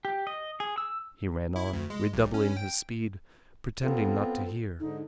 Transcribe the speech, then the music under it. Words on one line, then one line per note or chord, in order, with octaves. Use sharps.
He ran on, redoubling his speed, pretending not to hear.
G4
D#5
G#4
E6
E4
D2
G#3
B1
C#4
G5
B3 C4 F4 A4
G#2 D3 D#4